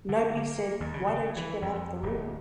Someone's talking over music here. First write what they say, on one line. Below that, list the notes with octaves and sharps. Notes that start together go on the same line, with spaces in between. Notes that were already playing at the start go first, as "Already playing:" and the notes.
Nobody said, 'Why don't you get out of the room?
D3
A#3
D#2
C#3
C#3
E3
F2
D1